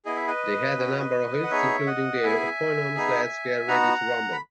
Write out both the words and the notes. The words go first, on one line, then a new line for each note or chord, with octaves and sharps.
They had a number of hits including the eponymous Let's Get Ready to Rhumble.
B3 E4 G#4 D#5
E5
B4 D#5
C#4 F#4
F#5
B3 D#4 G#4 C#5 E5
D#5 F#5
B3 E4 G#4 E5 G#5
B3 D#4 G#4
B3 D#4 F#4 F#5 A#5
B5